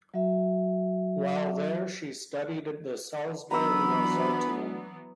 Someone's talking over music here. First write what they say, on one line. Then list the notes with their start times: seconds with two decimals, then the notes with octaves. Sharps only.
While there, she studied at the Salzburg Mozarteum.
0.14 F#3 F#4 E5
3.51 E3 F#3 B3 D4 F#4 A#5 B5 E6